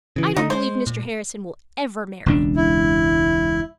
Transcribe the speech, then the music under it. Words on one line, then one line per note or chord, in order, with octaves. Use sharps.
I don't believe Mr. Harrison will ever marry.
C#3 E3
D3 A3 D#4
G#3 C5
A#2
E1 C#2 D4
E4